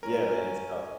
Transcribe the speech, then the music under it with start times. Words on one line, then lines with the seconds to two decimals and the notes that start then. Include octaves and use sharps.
yeah, man, it's tough.
0.03 C#4 A#4 G#5